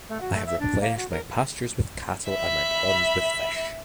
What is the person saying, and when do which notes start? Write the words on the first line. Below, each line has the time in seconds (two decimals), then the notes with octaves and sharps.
I have replenished my pastures with cattle and my ponds with fish.
0.09 A3
0.21 F#4
0.34 A3
0.46 E5
0.59 D4
0.80 A#3
0.97 F#4
1.10 A#4
2.29 E5 B5